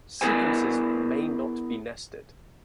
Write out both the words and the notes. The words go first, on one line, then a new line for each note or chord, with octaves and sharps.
Sequences may not be nested.
B3 E4 G#4 A#4 C5 G#5